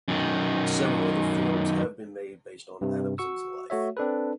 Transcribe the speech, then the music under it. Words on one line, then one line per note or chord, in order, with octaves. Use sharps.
Several other films have been made based on Adamson's life.
F#2 D#3
G2 C3
F#4 C#6 E6
A3 F#4 C#5 E5
C4 D4 A4 B4